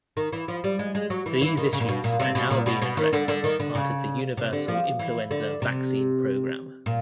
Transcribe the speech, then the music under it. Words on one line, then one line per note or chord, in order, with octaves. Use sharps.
These issues are now being addressed as part of the Universal Influenza Vaccine Program.
D#3
E3
F3
G3
G#3
G#3
F#3
E3
E3
D#3
C#3
A#2
B2
A#2
C3
B2
A#2
B2
B2
D#3
D3
D3
D#3
D3
C#3
C3
D3
F3
E3
D3
C3
A#2